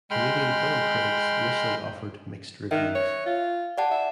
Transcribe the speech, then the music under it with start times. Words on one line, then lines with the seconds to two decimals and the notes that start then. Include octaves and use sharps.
Canadian film critics initially offered mixed reviews.
0.11 G#3 G5 B5 C6 F6
2.71 D#3 E5 F#6
2.95 C#5
3.26 F4
3.78 G4 D5 F#5 A5
3.91 E5